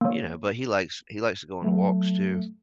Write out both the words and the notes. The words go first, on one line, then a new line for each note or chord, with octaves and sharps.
you know, but he likes he likes to go on walks too.
A#3 C#5
F#3 A3